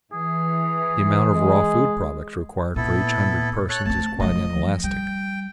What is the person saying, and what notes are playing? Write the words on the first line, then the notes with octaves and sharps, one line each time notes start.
The amount of raw-food products required for each hundred persons is quite inelastic.
E3 G#4
G#3
A#2 B3 E4 A4
A4 C#5 F#6
A3 C4 A5
F3 A3 D#5
G3 G5